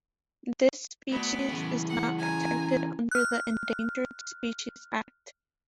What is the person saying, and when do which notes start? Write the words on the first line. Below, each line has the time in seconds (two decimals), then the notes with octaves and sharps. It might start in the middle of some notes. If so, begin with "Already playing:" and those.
This species is not protected under the Endangered Species Act.
1.11 D2 B3 D6
1.51 C#3 E3
1.89 F#5
2.19 G#5 A#5
3.11 F6 F#6